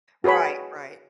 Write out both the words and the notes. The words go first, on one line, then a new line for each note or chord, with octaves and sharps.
Right, right.
F#4 G#4 B4 C#5 B5